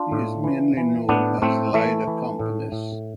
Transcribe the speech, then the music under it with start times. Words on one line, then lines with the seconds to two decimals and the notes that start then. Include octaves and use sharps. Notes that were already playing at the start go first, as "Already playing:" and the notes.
He is mainly known as Lied accompanist.
Already playing: D4 F4
0.11 A2
0.44 E3
0.77 E3
1.09 A2 B3 D4
1.42 A2 A3 C4
1.74 E3 A3
2.07 E3
2.39 A2
2.72 A2